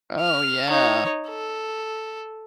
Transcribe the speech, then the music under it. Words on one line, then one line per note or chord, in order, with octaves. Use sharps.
Oh yeah.
F6
D#4 C#5
A4